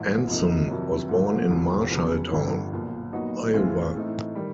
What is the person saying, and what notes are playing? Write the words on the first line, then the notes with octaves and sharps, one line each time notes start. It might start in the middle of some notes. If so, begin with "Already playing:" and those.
Anson was born in Marshalltown, Iowa.
Already playing: A#1 G#2 E3
F2 C3 F3 A#3 D#4
F2 C3 D#3 F#3
G#2 F3 A3
F1 E2 C#3 F3
F1 F2 C#3 F#3 B3
G1 F2 D3 G3
B1 A#2 F3
A#2 F#3 B3 D#4 F#4
A2 E3 G#3 C4 F4
A2 E3 A3 C4 D#4
D#3 G3